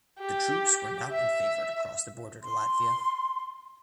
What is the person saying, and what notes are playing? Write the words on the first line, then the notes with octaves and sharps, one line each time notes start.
The troops were not in favor to cross the border to Latvia.
G4
E5
C6